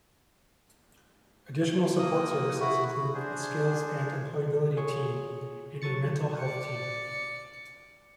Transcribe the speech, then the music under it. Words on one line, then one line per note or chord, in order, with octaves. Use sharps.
Additional support services include a Skills and Employability Team and a mental health team.
A#3 D#6
E4 F#4
D4 G#4 C5
F4 G#4 C#5 C#6
F#3 A4 C#6 A6 C#7
D5 C#7